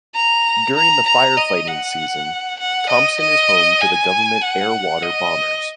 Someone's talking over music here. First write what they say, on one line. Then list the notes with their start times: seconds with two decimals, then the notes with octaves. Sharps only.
During the fire fighting season, Thompson is home to the Government Air water bombers.
0.15 A#5
0.76 A#5
1.06 A#5
1.37 D#5
1.68 F#5
2.59 F#5
2.89 D#5
3.20 D#5
3.81 G#5
4.42 F#5
5.03 D#5